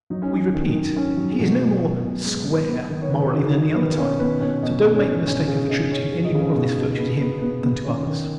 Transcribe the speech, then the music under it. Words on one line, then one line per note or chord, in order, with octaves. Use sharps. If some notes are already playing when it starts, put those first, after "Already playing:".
We repeat, he is no more "square" morally than any other type, so do not make the mistake of attributing any more of this virtue to him than to others.
F#3 D#4
C#4
C#4 D#4
D#3
D#3
C#4
F#3
G#4
B2 F#3 F#4
B2
B2
B2
G#3
G#3
B3
D#3
C#5
D#3 B4
G#4
F#4
D#3 D#4
D#3 D#4
D#3 B3 B4
B2 C#4 C#5
B2 B3 B4
B2 C#4 C#5
B2 D#4 D#5
B2
C#4 C#5
B2
C#4 C#5
C#3
C#4 D#4 D#5
C#4 C#5
C#3
D#4 D#5
C#3
B2
B2
B3
B3
B3
B3
D#3 C#4 C#5
D#3